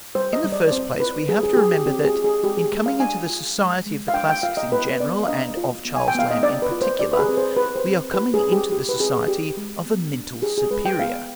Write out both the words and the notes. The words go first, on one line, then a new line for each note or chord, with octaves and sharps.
In the first place, we have to remember that, in coming into the society of the classics in general and of Charles Lamb in particular, we are coming into the society of a mental superior.
G3 C5
D#5
G3
D5
D5
C4 C5
F4 B4
G3 G#4
G#4
G4
G3 G#4
G4
C4 G4
G#4
F4
G#4
G#3 G4
G#4
G#3
F5
D4 G#5
F4
G#3
G#3
F5
D4 G5
G5
F4 F5
D#5
B3 B4
B3 D5
F5
D4 D#5
F4
B3
G#5
G5
B3 F5
D#5
D4 D5
B4
F4
C5
G4 D5
B4
G#4
C4
C5
G4 B4
C5
C4
G4 B4
G#4
C4
G4
G4
B4
C4 G#4
G4
G#3
B3
D4
G4 G#4
G#4
G#3 B4
G5
B3 F5